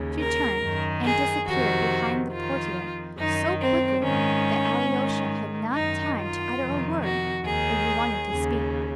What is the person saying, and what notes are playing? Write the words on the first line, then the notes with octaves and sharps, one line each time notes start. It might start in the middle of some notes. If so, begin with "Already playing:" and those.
She turned and disappeared behind the portiere so quickly that Alyosha had not time to utter a word, though he wanted to speak.
Already playing: D#2 C#3
A#4
F#2 D#3
G#4
F2 C3 D#3 F#4
F2 D#3 F4
F#2 D#3 D#4
C4
G#2 D#3 C#4
G#2 D#3
F#2 D#3 D#4
F4
F2 C3 D#3
F#4
D#2 D#3 G#4
D#2 C#3